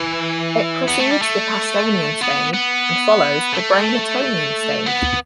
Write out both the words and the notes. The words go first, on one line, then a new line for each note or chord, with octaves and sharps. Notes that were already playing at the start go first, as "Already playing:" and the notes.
It precedes the Pastonian Stage and follows the Bramertonian Stage.
Already playing: E3
B3
A3
G3
A3
B3
B3
A3
B3